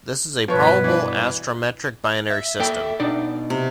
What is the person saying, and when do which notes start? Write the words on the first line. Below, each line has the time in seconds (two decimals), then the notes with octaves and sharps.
This is a probable astrometric binary system.
0.48 G2 B2 F3 B4 C#5
0.84 E3 D4
2.30 E5
2.60 A#3 A4 G5
3.00 B2 D4 D#4 D5
3.50 C3